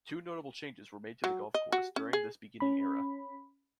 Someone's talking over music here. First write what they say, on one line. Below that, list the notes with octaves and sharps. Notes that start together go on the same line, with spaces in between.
Two notable changes were made to the golf course during this beginning era.
F#3
D#5
F#4
C#4
G#4
C#4 B5